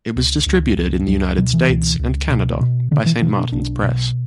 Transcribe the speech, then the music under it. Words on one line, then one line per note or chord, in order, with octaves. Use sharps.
It was distributed in the United States and Canada by Saint Martin's Press.
C#2
C#2
C#2
C#2 F#3
B2 F#3
E3
C#2
C#2
B2
B2
B2 D3
E3
B2 E3
D4
B1 D4
B2